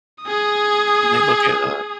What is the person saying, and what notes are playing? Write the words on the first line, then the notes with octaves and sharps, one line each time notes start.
when they look at, uh
G#4 D#6